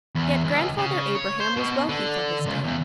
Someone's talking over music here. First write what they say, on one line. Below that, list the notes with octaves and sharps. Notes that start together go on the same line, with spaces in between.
Yet Grandfather Abraham was wealthy for his day.
E2
C#2
C#3
C#5
C5
B2
D3
C#2
E2